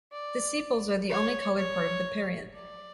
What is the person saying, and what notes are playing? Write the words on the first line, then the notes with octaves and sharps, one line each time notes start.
The sepals are the only colored part of the perianth.
D5
C#5
C#5
D5